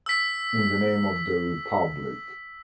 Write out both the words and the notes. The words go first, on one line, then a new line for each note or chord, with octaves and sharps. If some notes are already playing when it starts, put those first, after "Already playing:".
In the name of the Republic.
E6 B6